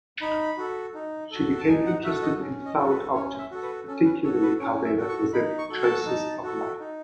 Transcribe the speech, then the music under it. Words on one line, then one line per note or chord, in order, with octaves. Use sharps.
She became interested in found objects, particularly how they represent traces of life.
D#4 B5
F#4 A4
D#4
F#4 A4
A5
D#4 G#5
F#5
F#4 A4 E5
D#5
C#4
D#5
F#4 A4
B4
C#4 C#5
E5
F#4 A4
B4
C#4 A4
B4
F#4 A4 C#5
B4
C#4 C#5
E5
F#4 A4
C#6
D#4 B5
C#6
F#4 A4
A5
D#4
F#4 A4
D#4